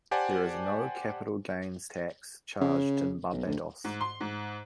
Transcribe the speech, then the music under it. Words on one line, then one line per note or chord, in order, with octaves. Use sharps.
There is no capital gains tax charged in Barbados.
G4 C5 D5 F#5 G#5 A5
C#3
B1
D2
G#2
C6
G#2